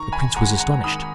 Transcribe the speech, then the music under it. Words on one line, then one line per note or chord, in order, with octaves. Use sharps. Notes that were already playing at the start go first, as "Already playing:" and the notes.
The prince was astonished.
Already playing: D#3 A#5 C#6
G#5 B5
G#3 F#5 A#5
F#5 A#5
D#3 B5 D#6